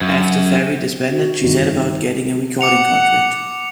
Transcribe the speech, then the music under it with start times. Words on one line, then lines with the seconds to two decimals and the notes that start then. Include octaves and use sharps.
After Fari disbanded she set about getting a recording contract.
0.01 F#2
1.08 F#4
1.43 G1 D#3
2.61 F#5 D6 C#7 F7